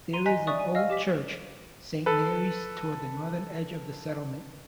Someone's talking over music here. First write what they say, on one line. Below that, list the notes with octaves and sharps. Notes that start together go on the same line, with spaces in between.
There is an old Church, Saint Mary's toward the northern edge of the settlement.
A#5 C6 D#7
D#5 G#5 A#5 F#6 B6
D5 E5 C#6 D#6 F#6
G#5
D#5 F5 E6 F6
G4 D6 B6
A4 B4